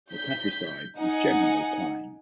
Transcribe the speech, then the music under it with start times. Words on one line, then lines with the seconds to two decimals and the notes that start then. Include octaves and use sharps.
The countryside is generally plain.
0.12 G6 B6
0.99 D#4 F#5 G#5